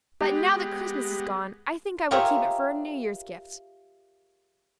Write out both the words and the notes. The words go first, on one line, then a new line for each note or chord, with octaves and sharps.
But now that Christmas is gone, I think I will keep it for a New Year's gift.
G#3 B3 G4
F4 G4 G#4 A#4 C#5 E5